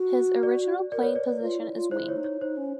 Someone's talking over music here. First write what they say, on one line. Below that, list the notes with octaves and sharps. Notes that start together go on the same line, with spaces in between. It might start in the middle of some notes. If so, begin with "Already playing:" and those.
His original playing position is wing.
Already playing: F#4
D5
A#4 D5
C#5
B4
D5
B4
F4
E4
F4
E4 C5
C#5
D#4
C#5
D#4 C5
C#4